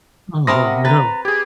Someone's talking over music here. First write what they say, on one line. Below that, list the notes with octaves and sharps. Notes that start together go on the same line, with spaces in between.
Oh, no.
C3 A#4 A5 B5 D#6 A#6
F#5
B4 A#5 A6
G4 G#4 G#6